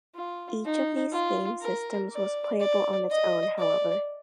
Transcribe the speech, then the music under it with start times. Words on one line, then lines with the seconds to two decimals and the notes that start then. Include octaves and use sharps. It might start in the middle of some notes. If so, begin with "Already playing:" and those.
Each of these game systems was playable on its own, however.
0.15 F4
0.64 D#4
1.12 F4
1.62 A#4
2.11 D5
2.60 D5
3.10 D#5
3.59 D5